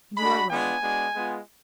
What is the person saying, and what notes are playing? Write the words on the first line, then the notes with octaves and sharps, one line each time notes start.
"And you are wrong."
G#3 D4 F#4 B5
G#3 B3 D4 F4 G#5
G#3 B3 D4 F#4
G#3 B3 F4